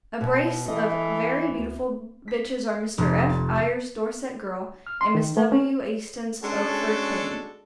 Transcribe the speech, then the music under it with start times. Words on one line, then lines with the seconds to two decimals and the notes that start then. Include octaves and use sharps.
A brace of very beautiful bitches are Mr. F. Eyer's Dorset Girl and Miss W. Easton's Okeford Queen.
0.21 B2
0.68 E3 A4 D#5
1.47 D2
2.28 B6
2.98 F1
3.29 A6
4.87 F6
5.01 C6
5.15 D#3
5.37 A3
5.52 C#4
6.43 G#3 C#4 D4 F#4 A4